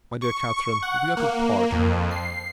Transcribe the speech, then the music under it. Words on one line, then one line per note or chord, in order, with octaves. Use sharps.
My dear Catherine, we are to part.
C#6
F#5
A#3
F2
C7